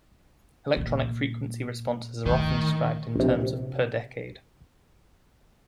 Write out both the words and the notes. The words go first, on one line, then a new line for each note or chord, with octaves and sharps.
Electronic frequency responses are often described in terms of "per decade".
A#2
A2 D#3
A#1 C3